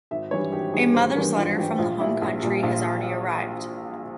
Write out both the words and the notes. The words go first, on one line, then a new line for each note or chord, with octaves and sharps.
A mother’s letter from the home country has already arrived.
G#1 E5
G2 E3 G3 C#5
G#1 G4
G2 E3 G3 G#4
G#1 C5
G2 E3 G3 A#4
G#1 F4
G2 E3 G3 G4
A#1 F4
A#2 G3 E4
A#1
A#2 G3
A#1 F4